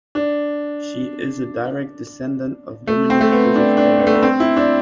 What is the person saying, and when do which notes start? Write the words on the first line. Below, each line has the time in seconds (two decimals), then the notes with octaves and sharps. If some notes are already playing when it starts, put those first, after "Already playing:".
She is a direct descendant of Dominique Joseph Garat.
0.15 D4
2.87 A3
3.10 C4
3.21 A3
3.32 B3
3.56 D4
3.77 D4
4.00 B3
4.07 A3
4.15 B3
4.23 C4
4.40 E4
4.56 D4